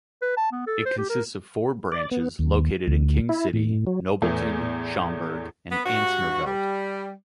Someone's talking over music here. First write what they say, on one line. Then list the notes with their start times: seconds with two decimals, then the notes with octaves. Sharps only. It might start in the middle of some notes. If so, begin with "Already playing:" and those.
It consists of four branches located in King City, Nobleton, Schomberg, and Ansnorveldt.
0.22 B4
0.38 A5
0.52 B3
0.67 A4
0.86 C5
0.98 G4
1.10 A#4
1.92 D5
2.11 B3
2.39 D#2
2.88 D2
3.29 E4
3.53 A2
3.87 F#3
4.22 E2 A2 E3
5.71 B3
5.85 G2 F#4
6.45 G3